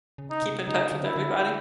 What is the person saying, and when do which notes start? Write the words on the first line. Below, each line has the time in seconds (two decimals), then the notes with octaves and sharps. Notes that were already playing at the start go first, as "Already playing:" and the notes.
Keep in touch with everybody.
0.18 C#3
0.30 D#4
0.42 C3
0.68 C#3 D#4
0.92 D3
1.04 E4
1.16 D3